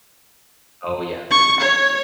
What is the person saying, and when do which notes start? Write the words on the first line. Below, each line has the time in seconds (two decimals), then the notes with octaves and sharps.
Oh, yes.
1.31 C#6
1.61 C#5